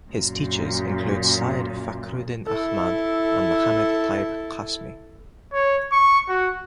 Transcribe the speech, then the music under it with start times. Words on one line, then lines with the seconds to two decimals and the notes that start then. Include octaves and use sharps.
His teachers include Syed Fakhruddin Ahmad and Muhammad Tayyib Qasmi.
0.12 F#2 A#2
2.47 E4 A4
5.53 C#5
5.92 C#6
6.29 F#4